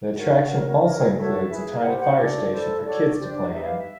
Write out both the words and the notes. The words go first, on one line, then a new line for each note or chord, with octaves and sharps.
The attraction also includes a tiny fire station for kids to play in.
F#4 A#4 C#5 F#5
C#4 F#4 A#4 C#5
F4 A#4 C#5 D5
D#5
F#4 A4 C#5 E5
E4 G#4 B4
E4 G4 C5 F#5
F#5
D4 F#4 A4 D5
E4 A4 C5
F#4 A4 C#5 D5
D4 G4 C5
D#4 G4 B4 E5
F5
E5